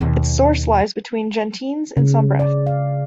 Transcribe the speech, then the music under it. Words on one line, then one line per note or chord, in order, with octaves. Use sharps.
Its source lies between Gentinnes and Sombreffe.
D#2 B2
C#3
D5
F5